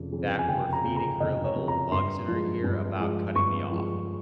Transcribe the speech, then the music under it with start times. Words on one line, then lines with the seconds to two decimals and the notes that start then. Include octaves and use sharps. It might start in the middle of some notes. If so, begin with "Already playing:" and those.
that were feeding her little bugs in her ear about cutting me off.
Already playing: F1 F2 C#3
0.12 F2 C#3
0.39 G#5
0.48 F1 G5
0.73 A#5
0.84 F2 C#3
0.96 A#5
1.20 F1 D#5
1.44 C#5
1.56 F2 C#3
1.68 A#5
1.92 G2 C6
2.28 F3 G#3
2.64 G2
3.00 F3 G#3
3.36 G2 C#6
3.72 F3 G#3